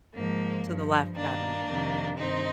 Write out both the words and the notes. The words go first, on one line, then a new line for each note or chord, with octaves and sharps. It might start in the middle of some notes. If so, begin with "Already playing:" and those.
to the left on the map. It it's
G#2 F3 A#3
G2 F3
G2 D#3 A#3 D4
F2 C3 D#3
G2 D#3 C4 D#4